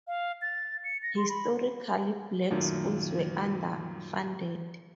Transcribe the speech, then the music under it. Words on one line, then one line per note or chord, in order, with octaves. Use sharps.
Historically black schools were underfunded.
F5
A6
C#7
A#6
C6
B5
F#2 A#2 D#3 A3